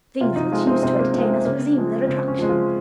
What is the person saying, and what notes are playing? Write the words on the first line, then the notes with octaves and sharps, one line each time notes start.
Things which used to entertain us resume their attraction.
C3 F4
D#4
F3 G#3 F4
C4
C3 C4
A#3
F3 G#3 C4
C4
C#3 A#3
F3 G#3
C#3 C4
C#4
F3 G#3
F4